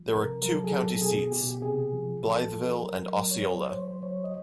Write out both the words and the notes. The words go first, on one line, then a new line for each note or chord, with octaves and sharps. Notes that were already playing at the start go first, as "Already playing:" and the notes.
There are two county seats, Blytheville and Osceola.
Already playing: F3
A4
C3 A#4
F#3 A#4
A4
G#4
F#3 A4
A4
B2 G#4
B2 G4
G4
C3 G#4
F3
F3 A4
F3
F#3 A#4
F#3
C#5
F#3 C5
C#5
C#5
F#3 C5
C5
F#3 C#5
D#5